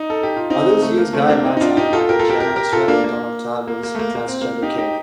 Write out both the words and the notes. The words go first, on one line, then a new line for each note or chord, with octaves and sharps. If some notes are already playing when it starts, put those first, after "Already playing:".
Others use guidelines outlined in Gianna Israel and Donald Tarver's "Transgender Care".
Already playing: D#4
A4
G4
F4
C4 D#4
A3
A#3
A3 C4
A#3 D4
C4 D#4
D#4
D4 F4
D#4 G4
F4 A4
G4 A#4
F4 A4
G4 A#4
G4 A#4
G4 A#4
F4 A4
A#3 D4
A#3
A#3
A#3
A3
A#3
A#3
C4
A#3
D#4 G4
D#4 G4